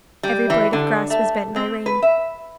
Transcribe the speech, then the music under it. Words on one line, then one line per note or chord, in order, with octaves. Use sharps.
Every blade of grass was bent by rain.
G3
E3
D3
A3
C4
B4
E5